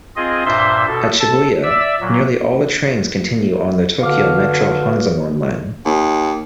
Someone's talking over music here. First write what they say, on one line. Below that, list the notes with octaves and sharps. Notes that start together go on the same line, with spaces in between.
At Shibuya, nearly all the trains continue on the Tokyo Metro Hanzomon Line.
C4 F4 G#4 D#5
G2 A#2 C5 E5 C6
B2 A4
A4 A5
D5 E5 E6
A#2 F#3
B2 D3 F5 D6 F6
D#2